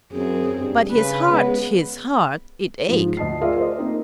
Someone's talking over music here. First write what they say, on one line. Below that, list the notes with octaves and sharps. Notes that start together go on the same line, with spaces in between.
But his heart, his heart ... it ached!
F#2 C4 G#4
G2
C#3 B4
G#3 B3
G#2 F3
D2 D#5 A5 C7
F4 G#4 A#4 D5 E5 F5
C5 D#5
A#3 C4 D#4